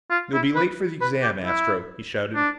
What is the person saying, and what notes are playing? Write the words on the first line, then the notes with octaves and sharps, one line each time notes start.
"You'll be late for the exam, Astro!" he shouted.
F4
E4
B4
B4
G4
E4
D4